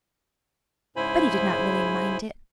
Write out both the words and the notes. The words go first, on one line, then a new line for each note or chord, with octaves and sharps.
But he did not really mind it.
G#2 C#3 E4 C5 G#5 B5